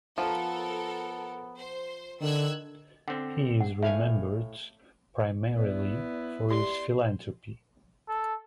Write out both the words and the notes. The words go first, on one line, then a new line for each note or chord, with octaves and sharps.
He is remembered primarily for his philanthropy.
F3 B3 A4 A#4
C5
D3 D#3 E6 F#6 G#6
D3 C4 F#5
F#5
A2 E5 F5 G#5
B3 E4 D5
G4 D5 C6
A4